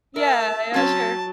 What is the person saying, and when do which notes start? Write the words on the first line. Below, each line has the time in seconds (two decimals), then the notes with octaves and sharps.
Yeah, yeah, sure.
0.16 A#4 E5 A5
0.74 F#3 C4 C#4 A5